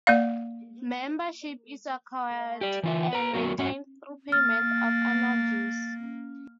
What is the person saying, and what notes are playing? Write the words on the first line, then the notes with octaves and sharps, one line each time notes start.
Membership is acquired and maintained through payment of annual dues.
A#3 D5 F5
G4 D5
E3 F4 E5
B4 A#5
F#3 B3 F#4 A#4
G#2 C#4 F#4 F#5
A#3 F6 A6